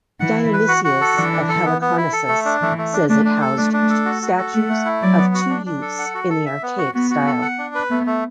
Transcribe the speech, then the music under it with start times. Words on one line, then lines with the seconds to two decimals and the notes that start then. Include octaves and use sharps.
Dionysius of Halicarnassus says it housed statues of two youths in the archaic style.
0.20 E3 F#5
0.36 E4
0.53 B4
0.68 F#4
0.84 F#4
1.01 A4
1.17 E3 D4
1.33 D4
1.49 A4
1.65 B3
1.81 B3
1.97 E4
2.13 A4
2.29 A3
2.45 D4
2.62 E3 A3
2.78 A3
2.93 D4
3.09 A3 D4
3.25 D4
3.41 A4
3.57 A3 D4
3.73 D4
3.90 A4
4.05 F#4
4.22 F#4
4.38 A4
4.53 A3 F#5
4.69 A3
4.85 E4
5.02 F#3 D5
5.18 B3
5.34 F#4
5.50 D4
5.66 D4
5.82 A4
5.98 F#5
6.15 F#4
6.30 A4
6.46 E5
6.63 B3
6.78 F#4
6.94 B3 F#4
7.11 F#4
7.27 A4
7.42 F#5
7.58 D4
7.75 B4
7.90 A3 B3
8.06 A3